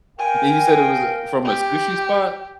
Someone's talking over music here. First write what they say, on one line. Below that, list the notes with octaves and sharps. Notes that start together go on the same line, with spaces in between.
And you said it was, uh, from a sushi spot?
A#4 F5 G5 G#5
G4